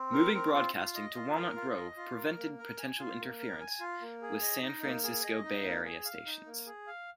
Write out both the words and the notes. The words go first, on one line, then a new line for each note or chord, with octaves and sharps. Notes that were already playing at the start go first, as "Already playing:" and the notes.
Moving broadcasting to Walnut Grove prevented potential interference with San Francisco Bay Area stations.
Already playing: C4
A#4
C4
F4
F4
D#5
F4
A#4
F4
D#5
F4
A#4
A#3
A#4
G#5
F4
A#3
A#4
G#5
F4
A#3
G#4
D#5
D#4
A#3
G#4
D#5
D#4
A#3
G#4
F5
D#4
A#3
G#4
F5